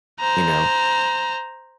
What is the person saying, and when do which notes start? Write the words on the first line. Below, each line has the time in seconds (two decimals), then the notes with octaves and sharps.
you know,
0.20 C5 A#5